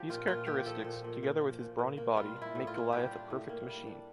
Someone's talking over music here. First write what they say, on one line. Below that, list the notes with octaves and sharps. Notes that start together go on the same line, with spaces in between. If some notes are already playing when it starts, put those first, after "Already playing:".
These characteristics, together with his brawny body, make Goliath a perfect machine.
Already playing: F3 G4
A#2 F4
A#2 F4
A#3 G4
F3 A4
A#2
A#2
A#3
F3
A#2
A#2
A#3
G3 F4
D4
E4
A2
F4
A#3
G3 G4
D4
A2
A#3
G3
D4